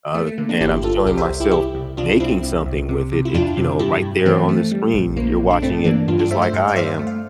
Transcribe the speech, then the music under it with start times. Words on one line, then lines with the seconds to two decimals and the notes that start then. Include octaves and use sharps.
uh, and I'm showing myself making something with it. It's, you know, right there on the screen, you're watching it just like I am.
0.15 A3
0.27 A3
0.38 D3 A#3
0.49 A#3 D4
0.61 G1 E4 G4
0.83 G1 F4 A4
1.06 C2 G4 A#4
1.18 C5 E5
1.29 C2
1.40 E4 G4
1.51 C2 E4 G4
1.75 C2
1.97 C2 D4 F4
2.20 C2 C4 E4
2.43 C2
2.66 C2
2.89 C3
3.12 C3
3.25 E4
3.34 F2 D4 F4
3.57 C3
3.79 G2 E4 G4
4.02 G2
4.26 E3 A3 C4
4.49 A3
4.72 G3
4.94 A#1
5.17 A#1 A#3
5.39 A#1
5.51 D4
5.62 G2 A3 C4
5.85 E3 A#3 D4
6.08 G2 D4 F4
6.19 D4 F4
6.31 A3 C5 E5
6.42 C5 E5
6.53 G2 F5
6.68 D5 F5
6.76 G2 C5 E5
6.99 A3
7.07 F5